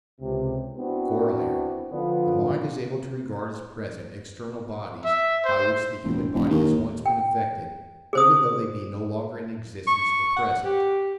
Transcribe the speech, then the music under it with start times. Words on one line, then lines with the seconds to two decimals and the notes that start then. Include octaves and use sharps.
Corollary.--The mind is able to regard as present external bodies, by which the human body has once been affected, even though they be no longer in existence or present.
0.20 C#2 C3
0.77 B3 C4 D4 E4 F#4
1.91 D3 F3 B3 D4 F4
5.05 E5
5.45 C5
6.04 E1
6.34 E1
6.50 D#2
7.06 G5
8.13 G#4 C5 D#6
9.87 C#6
10.37 F#5
10.65 G4